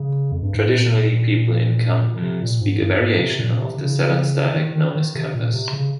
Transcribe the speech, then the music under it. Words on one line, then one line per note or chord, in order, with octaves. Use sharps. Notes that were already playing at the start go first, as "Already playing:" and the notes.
Traditionally people in Kampen speak a variation of the Sallands dialect, known as Kampers.
Already playing: C#3
F2
G2
G#2
A#2
C3
A#2
G#2
G2
G#2
C3
A#2
C3
C#3
D#3
D#3
D#3
C3
A#2
C3
C#3